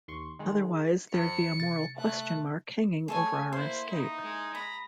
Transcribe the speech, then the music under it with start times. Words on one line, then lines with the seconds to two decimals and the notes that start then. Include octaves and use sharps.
Otherwise there'd be a moral question mark hanging over our escape.
0.08 D#2 C6 C#6
0.39 D#3 G#3
1.14 F2 C#7
1.60 C3 A6
1.95 A3 F#6
3.08 A3 G#4 A4 C#5 G#5
3.53 A#3 E4 C5 C6
3.92 D#4
4.23 G#3
4.55 A#5 B5 D#6